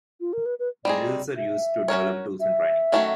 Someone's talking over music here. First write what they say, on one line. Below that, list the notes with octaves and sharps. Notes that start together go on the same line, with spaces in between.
The results are used to develop tools and training.
F4
A#4
B4
B4
G3 C4 D#4 G#4 D5
E5
C#4 F#4 A#4 C#5
E5
D#3 F#3 A3 C#4 F#4